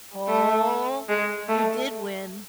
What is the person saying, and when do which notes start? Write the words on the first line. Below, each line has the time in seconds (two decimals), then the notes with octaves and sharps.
Oh! You did win.
0.28 A3
1.09 G#3
1.48 A3